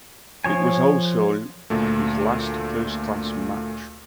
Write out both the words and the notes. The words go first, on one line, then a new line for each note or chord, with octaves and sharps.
It was also his last first-class match.
F3 C#5 G#5
D2 A#2 A3